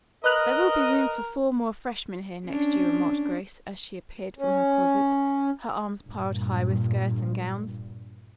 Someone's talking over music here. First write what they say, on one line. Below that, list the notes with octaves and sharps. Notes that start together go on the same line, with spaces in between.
"There will be room for four more freshmen here next year," remarked Grace, as she appeared from her closet, her arms piled high with skirts and gowns.
A#4 B4 D#5 F6 F#6
C#4 D4
C#4
G2 A#2